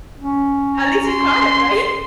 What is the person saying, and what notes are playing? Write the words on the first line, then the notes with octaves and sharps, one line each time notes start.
At least you caught it. Right?
C#4
A#5
C6